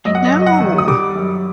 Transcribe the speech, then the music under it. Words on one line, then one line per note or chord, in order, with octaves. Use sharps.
I know.
F#2 D#5
F#5
D#5
F#2
D#5
F#5
D#3
D#6
G3 D6
F#2